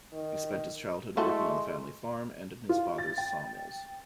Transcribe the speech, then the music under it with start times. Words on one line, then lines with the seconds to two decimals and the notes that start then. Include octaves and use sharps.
He spent his childhood working on the family farm and in his father's sawmills.
0.13 D#3
1.17 E3 G#3 A3 F#4 A4 C6
2.69 F4
2.98 A6
3.18 G5